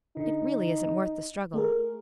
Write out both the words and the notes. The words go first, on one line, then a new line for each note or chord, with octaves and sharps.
"It really isn't worth the struggle."
D3 D#4
A3 G#4 A#4